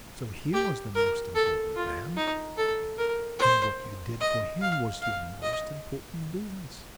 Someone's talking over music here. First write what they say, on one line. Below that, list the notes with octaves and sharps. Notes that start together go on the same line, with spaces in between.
So he was the most important man, and what you did for him was your most important business.
G4
A#4
A4
F4
D#4
A4
A#4
C5
D#5
F5
F5
D#5